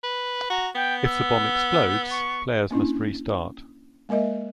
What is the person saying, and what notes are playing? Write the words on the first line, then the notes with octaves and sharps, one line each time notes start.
If the bomb explodes, players must restart.
B4
F#4 A#5
B3 G5
E6
C#6
A#3 C#4 D4 E4
G#3 A#3 A#4 D#5 E5